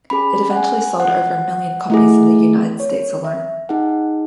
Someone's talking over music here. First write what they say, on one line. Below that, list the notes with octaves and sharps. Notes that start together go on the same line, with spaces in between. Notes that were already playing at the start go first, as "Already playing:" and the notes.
It eventually sold over a million copies in the United States alone.
C#4 G#4 B5
F#5
G#5
F#5
A3 E4 G#4
C#5
E5
D#4 G#4 F#5